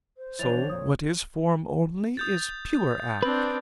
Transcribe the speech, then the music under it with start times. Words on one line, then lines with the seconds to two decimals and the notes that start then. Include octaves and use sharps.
So what is form only is pure act.
0.17 C5
0.39 E3 F3 D4 C#5 A6 F7
0.69 F2 A#2 D#6
2.17 D#6 G6 A6
3.22 C4 D4 B4